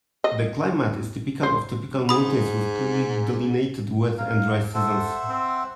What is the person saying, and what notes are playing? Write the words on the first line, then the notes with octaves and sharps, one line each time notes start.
The climate is typical of tropical mountains with clearly delineated wet and dry seasons.
D#5
C5
G#2 B5 D#6
F5 A#5
A4 C5 E5 F#5
C4